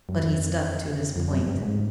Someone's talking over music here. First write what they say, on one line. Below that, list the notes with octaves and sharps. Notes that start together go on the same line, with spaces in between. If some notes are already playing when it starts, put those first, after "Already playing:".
But he stuck to his point.
F#2
F2
F2
F#2
G2
G#2